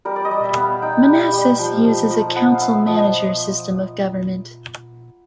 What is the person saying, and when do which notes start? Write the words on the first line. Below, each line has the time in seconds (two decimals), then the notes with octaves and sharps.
Manassas uses a council-manager system of government.
0.05 G3 A#4
0.16 D5
0.25 D#5
0.31 G3
0.44 E5
0.56 B3
0.62 F5
0.82 D#4 G5
1.08 G3
1.33 G3
1.59 F3
1.85 F3
2.11 F3
2.35 B3 F#5
2.54 F5
2.61 B3 E5
2.87 F3 D#5